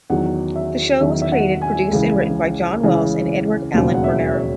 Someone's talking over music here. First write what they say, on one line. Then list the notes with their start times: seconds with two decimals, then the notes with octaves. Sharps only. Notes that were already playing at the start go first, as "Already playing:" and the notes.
The show was created, produced, and written by John Wells and Edward Allen Bernero.
0.10 E2 D#3 F#3 F#5
0.56 E5
1.01 E2 D#3 F#3 E5
1.22 E5
1.32 F#5
1.61 G#5
1.91 C#2 C#3 E3
2.83 C#2 C#3 E3
3.74 E1 D#2 C#3 F#3
3.94 F#5
4.04 E5
4.34 C#5